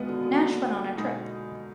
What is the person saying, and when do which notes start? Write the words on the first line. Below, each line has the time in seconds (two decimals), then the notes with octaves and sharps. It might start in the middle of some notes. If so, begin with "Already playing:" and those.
Nash went on the trip.
Already playing: G#2 B2 D#3 G#3 B3 F4
0.09 D3
0.23 A#2
0.38 A#2
0.96 B2 G#3 D#4